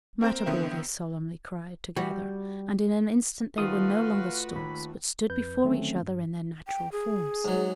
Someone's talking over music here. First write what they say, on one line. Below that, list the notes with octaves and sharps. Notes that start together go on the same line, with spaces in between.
"Matabor!" they solemnly cried, together; and in an instant they were no longer storks, but stood before each other in their natural forms.
A#3 C4 A#4 C5
D3 D#3 B3 C4 E4
G3 F#4
D#3 A3 F4 F#4 B4 F5 D#6
D#2 B5
F2 B4 G6
D3 D#3 F#3 A3 C4 C#4
G2
G5
G#4
G#2 F#3